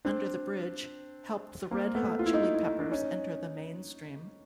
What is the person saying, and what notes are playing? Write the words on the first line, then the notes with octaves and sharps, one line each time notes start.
"Under the Bridge" helped the Red Hot Chili Peppers enter the mainstream.
C4 D4
A#3 C4
A3 B3
F4
E4
D#4 F4
E4
D#4
D4
C#4 D#4